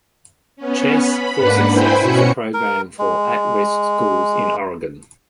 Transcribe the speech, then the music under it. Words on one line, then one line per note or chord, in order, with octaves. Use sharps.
Chess for Success is a program for at-risk schools in Oregon.
B3 C#4
B5
G#2 A#3 D4 B4 F#5 B5
E4 C5 G5 G#5 B5 G6
B2 C#4 F#4 C#7
A#4
G#3